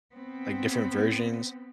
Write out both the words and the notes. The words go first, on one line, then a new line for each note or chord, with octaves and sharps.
like, different versions.
B3 C4